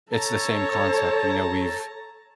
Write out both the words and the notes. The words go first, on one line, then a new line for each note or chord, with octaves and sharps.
it's the same concept, you know, we've
A4 C#5 A5 A#5